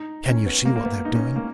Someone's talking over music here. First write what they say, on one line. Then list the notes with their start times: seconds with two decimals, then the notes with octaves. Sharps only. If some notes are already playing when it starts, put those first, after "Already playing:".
"Can you see what they are doing?"
Already playing: D#4
0.26 C#4
0.46 B3
0.65 A#3
0.76 A#3
0.85 B3
1.05 D#4
1.15 C#4
1.36 A#3